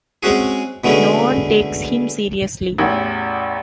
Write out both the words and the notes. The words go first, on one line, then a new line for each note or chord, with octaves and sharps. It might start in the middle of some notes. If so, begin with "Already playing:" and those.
No one takes him seriously.
G#3 C4 C#4 F#4 G#4
B2 D3 G#3 A3 C#4
A1 E2